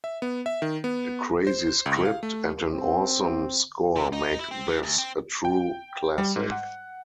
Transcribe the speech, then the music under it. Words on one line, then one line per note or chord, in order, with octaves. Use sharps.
A crazy script and an awesome score make this a true classic.
E5
B3
E5
D#3
B3
C5
C#2
F5
A3
C4
C3
D#4
E4
C4
E3
D2
C4
G5
G3
G#2
F#5